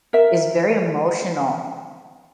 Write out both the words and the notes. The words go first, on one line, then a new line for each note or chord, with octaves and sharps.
is very emotional
A#4 E5